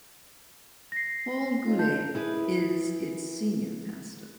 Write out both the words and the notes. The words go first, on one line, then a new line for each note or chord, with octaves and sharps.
Paul Goulet is its Senior Pastor.
A#6 C7
D#4 F4
A5 G6
E4 G#4 B4